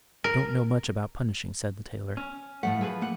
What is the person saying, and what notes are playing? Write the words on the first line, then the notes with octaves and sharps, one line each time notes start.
"I don't know much about punishing," said the tailor.
A#4
C#4
A2 F3 A3 F#5
F#2 F3 G#4 B4
A3 A#3 F#5